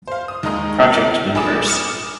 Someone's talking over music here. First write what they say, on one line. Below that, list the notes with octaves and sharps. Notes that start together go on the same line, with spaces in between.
Project members.
C5 F5
D#6
D#2 D#3 G#3 D#4 A#5 D#6
A#4 E5
A#1 G#4 B5 D6 D#6 E7
D6 D#6 F6 C#7 E7